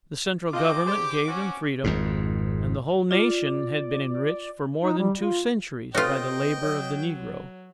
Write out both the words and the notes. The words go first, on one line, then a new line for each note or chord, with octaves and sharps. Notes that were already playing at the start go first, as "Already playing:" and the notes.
The central government gave them freedom, and the whole Nation had been enriched for more than two centuries by the labour of the Negro.
A3 C4 F4 D#5 F5 D6
D3 G4 G#4 C5 D5
C4 C#4 F#4
G#1 F2 G#2
F4 D5
D#4
G3
F4
C4 F4 F#4 A4 B4 C#5 D#5 G5
F#3 C#5